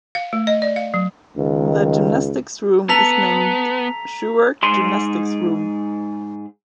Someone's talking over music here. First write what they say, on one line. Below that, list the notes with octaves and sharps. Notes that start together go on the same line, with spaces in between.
The gymnastics room is named Shuhwerk Gymnastics Room.
F5
A3
D#5
D5
F5
F#3
C#2 D#3
B3 A4 A#5 B6 F7
G#2 G#4 C6